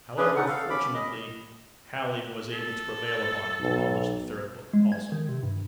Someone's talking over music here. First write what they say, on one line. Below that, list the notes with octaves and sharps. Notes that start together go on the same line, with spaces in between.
However, fortunately, Halley was able to prevail upon him to publish the third book also.
C#4 D4 G#4 B4
D#4 A4 F#5
A4 F5
C#4 B5 D6
D#5
A4
B1
G#3
G#6
D#3
C3
G2